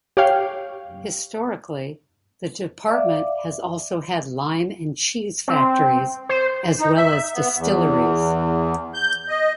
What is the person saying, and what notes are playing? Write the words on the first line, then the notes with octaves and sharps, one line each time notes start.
Historically, the Department has also had lime and cheese factories, as well as distilleries.
G4 C#5 F5 G5
D5 E5 F5 D6
C4
C5
D#4
E5
B3
E2
G6
D#5